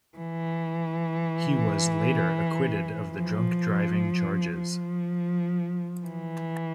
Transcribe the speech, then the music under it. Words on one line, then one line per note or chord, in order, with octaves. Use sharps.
He was later acquitted of the drunk driving charges.
E3
F3
F3
E3